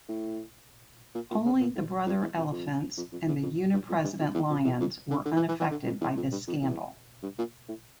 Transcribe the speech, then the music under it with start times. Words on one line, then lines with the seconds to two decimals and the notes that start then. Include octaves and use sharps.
Only the Brother Elephants and the Uni-President Lions were unaffected by this scandal.
0.09 A2
1.15 A#2
1.31 A#2
1.45 C#3
1.61 A#2
1.76 A2
2.06 F2
2.21 E2
2.37 F2
2.52 F2
2.97 F2
3.12 F2
3.28 E2
3.43 F2
3.73 G2
3.89 F2
4.03 G2
4.19 F2
4.34 E2
4.50 F2
4.64 E2
4.80 F2
5.10 D3
5.25 D3
5.36 E3
5.48 E3
5.60 E3
5.71 D3
5.86 F2
6.01 E2
6.17 F2
6.32 G2
6.47 F2
6.62 E2
7.23 G2
7.38 A#2
7.68 A2